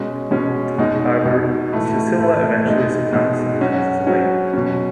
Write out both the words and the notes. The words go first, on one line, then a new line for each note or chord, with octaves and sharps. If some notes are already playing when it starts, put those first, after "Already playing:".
However, Susila eventually succumbs and passes away.
Already playing: B2 G#3 C#4
B2 G#3 C#4
B2 G#3 D#4
B2 G#3 D#4
A2 E3 A3
A2 E3 A3
B2 G#3 D#4
B2 G#3 D#4
F#3 C#4 F#4
F#3 C#4 F#4
B2 F#3 C#4